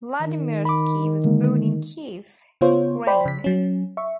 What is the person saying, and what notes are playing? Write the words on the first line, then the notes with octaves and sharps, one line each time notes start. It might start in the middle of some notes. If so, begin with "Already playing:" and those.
Vladimirski was born in Kiev, Ukraine.
D#3
B5 D6
D3 G#3 A#3
C#3 B3 F4 C5 C#5
C5 D5 G5 B5 C6
C#3 B6
F#3 C#4
E5 C#6